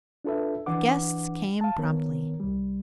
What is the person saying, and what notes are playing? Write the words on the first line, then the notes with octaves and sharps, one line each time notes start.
The guests came promptly.
D4 F4 A4 B4 E5
E3 D4 B4 F#5 D6
F5 A5
D#3 B3 A#4 C#5
C2 G3